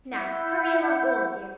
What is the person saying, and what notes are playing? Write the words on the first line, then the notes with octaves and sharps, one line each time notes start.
Now hurry along, all of you.
E4 F#5 G6